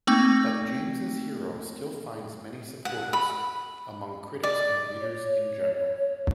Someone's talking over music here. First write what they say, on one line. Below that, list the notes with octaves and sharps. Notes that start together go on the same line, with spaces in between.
But James' hero still finds many supporters, among critics and readers in general.
A3 A#3 C4 D#4 G5
F#5
B5
D5
C#5